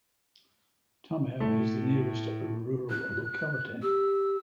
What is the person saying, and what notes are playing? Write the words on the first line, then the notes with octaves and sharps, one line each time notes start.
Tamir is the nearest rural locality.
A2 A3
F#6
G4 E6